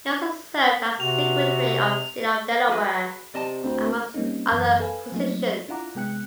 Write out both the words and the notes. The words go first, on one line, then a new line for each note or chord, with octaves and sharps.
He also served as the Secretary of State of Delaware amongst other positions.
C3 F#4 F7
F#4 G#4 B4
C3 D5 D#5 A5
D2 C4
G3 A#3 C4 C#4 D#4
F#2 E3 B3
A4 B4 F5 G#5
F3 F#3 A3 A#3 C4 D#4
D4 E4 F4 F#5 A#5 D6
C3 G#3 B3 G5 F#6 C#7